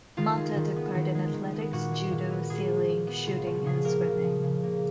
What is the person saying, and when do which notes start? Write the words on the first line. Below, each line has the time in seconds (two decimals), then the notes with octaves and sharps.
Malta took part in athletics, judo, sailing, shooting and swimming.
0.17 D#3 F4
0.37 G#3
0.56 D#3
0.76 B3
0.95 D#3
1.15 G#3
1.33 D#3
1.54 B3
1.73 A#2 F#4
1.92 G#3
2.11 A#2
2.30 B3
2.50 A#2 G#4
2.69 G#3
2.89 A#2
3.07 B3
3.27 C#3 F4
3.46 F3 F#4
3.66 C#3 G#4
3.85 A#3 A#4
4.05 C#3
4.24 F3
4.44 C#3
4.63 A#3